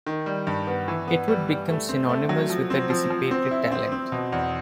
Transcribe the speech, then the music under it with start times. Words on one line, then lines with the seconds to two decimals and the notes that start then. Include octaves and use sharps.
It would become synonymous with dissipated talent.
0.07 D#3
0.26 G3
0.47 G2
0.67 B3
0.88 E3
1.08 B3
1.28 G3
1.48 G3
1.68 A3
1.89 C4
2.09 A3
2.29 F#3
2.50 F3
2.70 C4
2.90 F3
3.10 F3
3.31 C4
3.51 E4
3.72 C4
3.92 C4
4.12 B2
4.32 E2